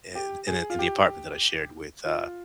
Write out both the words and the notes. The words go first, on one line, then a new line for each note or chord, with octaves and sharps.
in the in the apartment that I shared with, uh,
G4
G#4
F4
G4
F4